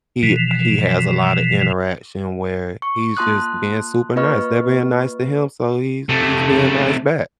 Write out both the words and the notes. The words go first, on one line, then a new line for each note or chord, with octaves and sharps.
he he has a lotta interaction where he's just being super nice. They're being nice to him, so he's he's being nice back,
B2 E3 F3
C#6
A#3 F4 A5 C6 D#6 F#6
A#3 F4 B4 D#5 C#6 F6
C3 A3